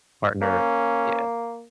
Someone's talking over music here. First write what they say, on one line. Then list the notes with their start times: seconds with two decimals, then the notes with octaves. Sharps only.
partner, yeah.
0.42 A#3 C#4